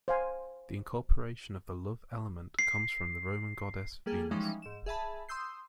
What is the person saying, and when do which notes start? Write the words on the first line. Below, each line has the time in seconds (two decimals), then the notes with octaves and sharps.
The incorporation of the "love element" comes from the Roman goddess Venus.
0.08 C5 F5 G#5
2.59 C7
4.06 G3 A#3 G#4 A4
4.31 E3 F3 G3 G#3 C#4 D#4
4.62 G#2 E7
4.86 G#4 E5 A5 B5
5.29 C6 D#6 E6 G6 C7